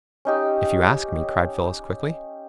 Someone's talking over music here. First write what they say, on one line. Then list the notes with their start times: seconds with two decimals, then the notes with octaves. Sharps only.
"If you ask me," cried Phyllis quickly.
0.25 C#4 D#4 G4